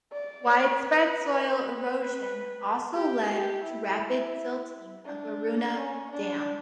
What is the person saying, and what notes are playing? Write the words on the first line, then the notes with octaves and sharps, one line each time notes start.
Widespread soil erosion also led to rapid silting of Aroona Dam.
D5
C#5
B4
B4
G4
G4
E4
D4
C#4
D4